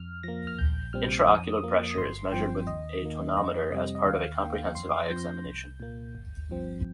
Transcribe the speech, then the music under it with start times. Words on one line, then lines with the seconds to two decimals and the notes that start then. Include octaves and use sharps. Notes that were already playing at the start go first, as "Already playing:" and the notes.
Intraocular pressure is measured with a tonometer as part of a comprehensive eye examination.
Already playing: F2 F6
0.23 F3 A#3 A#6
0.47 F6
0.59 A#1 G6
0.93 A#2 G3 C4 F6
1.28 F2 D#6
1.62 F3 A#3
1.91 D#6
1.97 G1 C6
2.32 G2 F3 C4 G5
2.67 D#2 D#5
3.02 D#3 A#3
3.36 F2 D#5
3.71 C3 G3 C4 D#5
3.95 D#5
4.05 D#2 F5
4.40 D#3 A#3 G5
4.75 F2 C6
5.03 A#6
5.10 F3 C4 G6
5.46 C2
5.80 A#2 A#3
6.15 G1
6.50 G2 F3 C4